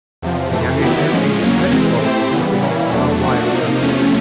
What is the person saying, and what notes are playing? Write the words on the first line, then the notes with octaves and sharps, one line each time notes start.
The young detective had formed his opinion a long while ago.
E2 C3 F3
F2 C3 E3 A3
D#3 F#3 B3 E4 G4
A2 F3 G#3 C#4
E2 C#3 F#3 A#3 C#4
C3 E3 G#3 C4
A3 C4 E4 G4 C5
C#3 E3 G3 B3
E3 G3 A#3 C#4 E4
E2 B2 F#3 A3 D4
F3 A3 D4 F#4
C3 F3 A#3 D#4
E2 C3 F3 A3 C#4